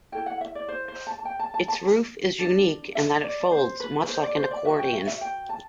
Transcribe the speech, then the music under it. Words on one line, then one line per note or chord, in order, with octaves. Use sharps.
Its roof is unique in that it folds much like an accordion.
E4 A4 G5
F#5
E5
D5
C5
C5
A5
A5
G5
A5
A5
A5
D4 A4
E5
D5
C5
B4
B4
C5
D5
C5
D5
F#4 B4 E5
G5
E5
E5
G5
A5